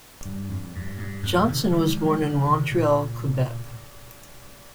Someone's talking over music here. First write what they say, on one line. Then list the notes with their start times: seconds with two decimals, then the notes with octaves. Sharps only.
Johnson was born in Montreal, Quebec.
0.25 G2
0.50 F2
0.75 G2
0.98 G2
1.23 F2 G#2
1.36 G2 A#2
1.48 C3 D#3
1.72 D#3 G3
1.89 F3 G#3
2.05 F3 G#3
2.22 C#3 F3
2.46 C3 D#3
2.71 A#2 C#3